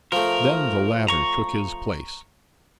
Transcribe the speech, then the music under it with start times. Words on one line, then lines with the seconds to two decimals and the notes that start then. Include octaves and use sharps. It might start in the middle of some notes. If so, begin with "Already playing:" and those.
Then the latter took his place.
0.12 F3 A3 A#4
1.08 A#5 C#6